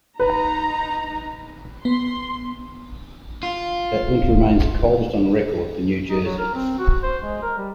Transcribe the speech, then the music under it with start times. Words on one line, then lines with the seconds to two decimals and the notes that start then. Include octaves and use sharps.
That winter remains the coldest on record for New Jersey.
0.20 D#4 B4 A#5
1.85 B3 C6
3.43 F4
6.10 D#4
6.23 F#3
6.38 A#4
6.55 C4
6.79 F#4
7.03 C5
7.24 G#3
7.43 A#4
7.58 G3